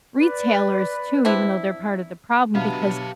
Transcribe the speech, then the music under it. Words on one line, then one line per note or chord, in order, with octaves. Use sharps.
retailers, too, even though they're part of the problem because
B4 D5
C4 D4 E4
B2 F#3 B3 D4 G4 E5 F5 A5